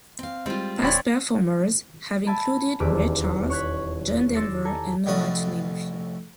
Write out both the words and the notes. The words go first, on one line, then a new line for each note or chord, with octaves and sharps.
Past performers have included Ray Charles, John Denver, and Noa to name a few.
C4 F5
G3 G#3 C4 F4
D#1 D2 C4 C#5 D5 B5
E5 G#5 A5 B5 D7 D#7
D#1 E2 D6 E6 B6 D7
C#5 C#6 F#6 G#6 B6
C6 D6 E6 A6 A#6 C#7
A4 G#5 A#5
C2 F2 A2 C#4 F#4 D#6